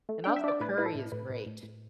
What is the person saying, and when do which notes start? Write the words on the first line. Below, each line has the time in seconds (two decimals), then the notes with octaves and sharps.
and also, curry is great.
0.09 A3
0.24 D4 G5
0.36 E5
0.44 D4 D5
0.60 A2 B4
0.78 E4 B4
0.86 A4
0.95 A2
1.12 A2 B4
1.30 A2
1.46 A2
1.63 A2